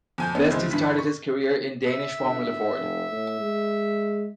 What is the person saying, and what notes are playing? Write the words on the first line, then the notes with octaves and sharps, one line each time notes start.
Vesti started his career in Danish Formula Ford.
F2 G#5 G6
G2 B3 C#4
C#2 E3 G#3 C4
G2 E3 B6
C#6
E5
G1
F1
A2
G#3